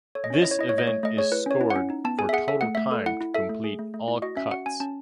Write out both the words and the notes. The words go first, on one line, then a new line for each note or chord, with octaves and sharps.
This event is scored for total time to complete all cuts.
A4 C#5
D#5
C#4 C#5
E4 D#5
C#5
E4 D#5
C#5
A3 D#5
A3 C#5
A3 D#5
G#4 C#5
E4 B4
C#4 C#5
E4
F#5
C#4
D#4
B3 A5
G#4 G#5
E5
G#4 F#5
A4 E5
A3 F#5
A3 E5
A4
E4 F#5
E4
A4 E5
A3
G#4
A3
A3
E4
F#4 D#5
C#4 E5
F#4 F#5
C#4 G#5
C#4 A5